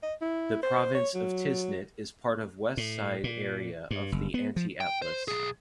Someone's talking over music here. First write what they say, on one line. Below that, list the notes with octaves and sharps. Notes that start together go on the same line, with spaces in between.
The province of Tiznit is part of west side area of the Anti-Atlas.
D#5
E4
C5
C#5
F#3
A2
A#2
G2
F#1
B3
F3
G5
C5
B1 G#4